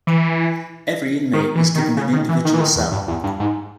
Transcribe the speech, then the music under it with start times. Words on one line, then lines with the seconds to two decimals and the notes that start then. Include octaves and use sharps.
Every inmate was given an individual cell.
0.07 E3
1.33 D#3
1.55 E3
1.75 D#3
1.97 C#3
2.13 D#3
2.29 E3
2.45 D#3
2.54 E3
2.61 D#3
2.76 E2
2.92 G2
3.08 E2
3.24 G2
3.40 G#2